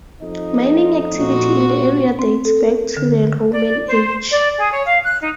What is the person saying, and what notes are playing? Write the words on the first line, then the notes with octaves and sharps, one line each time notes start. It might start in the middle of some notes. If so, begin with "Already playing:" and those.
Mining activity in the area dates back to the Roman age.
F2 D#4 D#5
A#2 F#4
C4
A4
A#4
D3
D5
C5
D5
G#4
C#5
F5
F#6
D#4